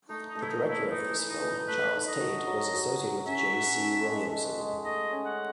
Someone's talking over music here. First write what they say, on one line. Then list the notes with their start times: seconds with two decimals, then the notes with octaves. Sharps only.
The director of this film, Charles Tait, was associated with J. C. Williamson.
0.09 A3 D#4
0.28 D#4
0.35 A3
0.42 E4
0.49 D#4
0.62 A3
0.68 E4
0.88 E3 D#4
1.15 E3
1.29 D#4
1.41 E3
1.68 A3 B4
1.94 D#4
2.08 D#5
2.21 F#4
2.47 F#3
2.73 F#3
3.00 F#3
3.27 C#4 E5
3.53 F#4
3.79 A4
4.06 G#3
4.32 A4
4.59 G#3
4.85 A3 D#5
5.12 C#4
5.25 F#5